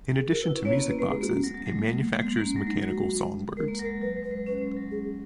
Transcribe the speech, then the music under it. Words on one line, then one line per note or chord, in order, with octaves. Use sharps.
In addition to music boxes, it manufactures mechanical songbirds.
G#4
F#4 A#4
E4 B4
C#4
A#3 C#5
B3
A#3 B4
G#3 B4
G#3 G#4
A#3 F#4
C#4
F#3
F#3
G#3
A#3
A#3
A#3
G#3 B3
A#3
C#4
F#3
G#3 D#4
F#4
G#3 A#4
A#3
F#3 A#4
G#3
F#3
F#3 B4
G#3
B4
G#3
C#4 B4
G#3
F#3
G#4